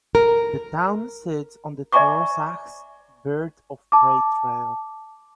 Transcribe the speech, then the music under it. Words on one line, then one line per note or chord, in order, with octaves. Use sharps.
The town sits on the Trossachs Bird of Prey Trail.
A#4
D5 E5 G#5 A#5 C#6 D6
A5 D6